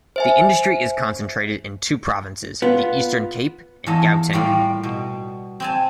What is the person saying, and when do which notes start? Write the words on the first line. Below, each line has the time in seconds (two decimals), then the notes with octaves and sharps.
The industry is concentrated in two provinces, the Eastern Cape and Gauteng.
0.16 C5 E5 G#5
2.62 B3 F4
3.87 E2 F4 A4 D#5 A5
4.33 A2 G3 A#3 F4 D5
4.83 B2
5.60 C4 G#5 A5